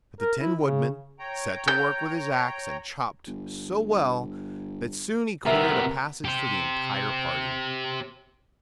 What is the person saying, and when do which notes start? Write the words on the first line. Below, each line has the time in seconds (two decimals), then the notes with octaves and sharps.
But the Tin Woodman set to work with his axe and chopped so well that soon he cleared a passage for the entire party.
0.21 A#4
0.41 E4
0.62 C#3
1.19 C#5 G5 A#5
1.68 G6
3.27 G1
5.46 C2 C3 B3 A#4 E5 A#5
6.25 G4 C5